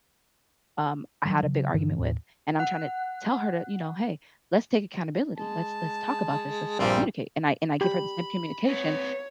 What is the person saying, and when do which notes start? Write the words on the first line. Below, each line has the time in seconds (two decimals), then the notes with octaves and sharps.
um, I had a big argument with and I'm tryna tell her to, you know, "Hey, let's take accountability. Let's let's talk about this. Let's communicate." And I and I give her the same communication.
1.25 D#3 F#3 G3
1.43 C#3 F#3
1.74 G2 D3 E3
1.99 D#2 A2
2.59 F#5 F#6
5.38 G#3 A5
6.79 A#1 G2 A#2 G3 C4
7.81 G4 B5
8.66 C4 B4 C#5